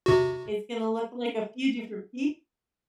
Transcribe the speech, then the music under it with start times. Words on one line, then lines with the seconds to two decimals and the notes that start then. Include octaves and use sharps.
It's gonna look like a few different peop
0.06 C3 F#4